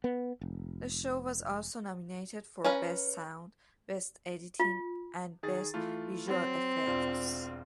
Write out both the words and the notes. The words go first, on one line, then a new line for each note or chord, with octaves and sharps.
The show was also nominated for Best Sound, Best Editing, and Best Visual Effects.
B3
F1
C#4 B4 F5 A#5
F4
D#3 G#4 A6
E3 A3 F4
F#3 C4
E1 D4 F4